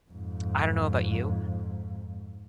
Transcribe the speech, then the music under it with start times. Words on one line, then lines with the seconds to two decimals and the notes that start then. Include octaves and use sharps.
I don't know about you,
0.11 F2 G#2